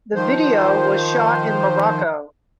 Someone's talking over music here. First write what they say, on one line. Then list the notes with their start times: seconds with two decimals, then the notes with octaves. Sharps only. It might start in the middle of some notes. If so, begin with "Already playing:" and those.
The video was shot in Morocco.
0.15 D#3 F3 C5